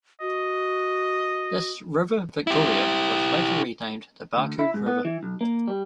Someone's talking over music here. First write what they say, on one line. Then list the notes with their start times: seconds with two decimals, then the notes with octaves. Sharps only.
This "River Victoria" was later renamed the Barcoo River.
0.21 F#4 D#5
2.47 E4 G4
4.37 D2
4.59 E4
4.74 G#2
4.86 B3
5.05 E3
5.23 B1
5.41 A#3
5.68 G3